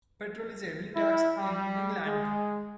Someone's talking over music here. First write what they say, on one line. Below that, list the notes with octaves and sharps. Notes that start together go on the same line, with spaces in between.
Petrol is heavily taxed in England.
E4
G3
G#3